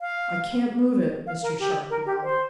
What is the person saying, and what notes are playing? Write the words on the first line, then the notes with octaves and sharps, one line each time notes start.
"I can't move it!" Mr. Sharp yelled.
F5
F5
A#4
G4
A#4
G4
C5